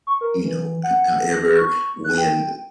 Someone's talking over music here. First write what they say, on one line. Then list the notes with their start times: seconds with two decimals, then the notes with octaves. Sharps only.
you know? H however, when
0.07 C#6
0.21 A#4
0.44 E3
0.83 F#5
1.30 A#6
1.57 C#6
2.04 F#6
2.18 G5